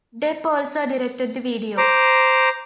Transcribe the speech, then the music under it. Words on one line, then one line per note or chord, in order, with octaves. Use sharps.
Depp also directed the video.
C5 A#5 D6